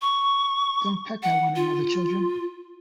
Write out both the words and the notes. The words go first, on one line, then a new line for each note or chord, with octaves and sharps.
Don't peck at one another, children.
C#6
F#5
F4